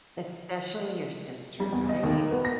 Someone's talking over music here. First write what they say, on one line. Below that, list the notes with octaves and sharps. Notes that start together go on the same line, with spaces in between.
Especially your sister. Right?
G3
E2
D#5
D#2
A#4
B3
A#6